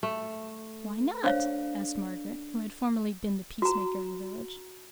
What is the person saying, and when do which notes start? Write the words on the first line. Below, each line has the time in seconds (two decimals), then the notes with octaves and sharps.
'Why not?' asked Margaret, who had formerly been the peacemaker of the village.
0.03 A3
1.24 D4 C5 C#5 F5
3.62 F#4 A#5